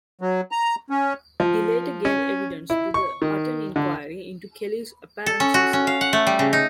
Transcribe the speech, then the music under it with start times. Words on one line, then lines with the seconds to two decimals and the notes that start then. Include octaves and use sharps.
He later gave evidence to the Hutton Inquiry into Kelly's apparent suicide.
0.21 F#3
0.51 A#5
0.90 C#4
1.40 F3
2.05 C#4
2.70 E4
2.94 C#6
3.22 D#3
3.76 D3
5.26 A4
5.40 C#4
5.54 F#4
5.73 C#4
5.87 F5
6.01 F#5
6.13 A3
6.27 G3
6.39 C#3
6.53 D#4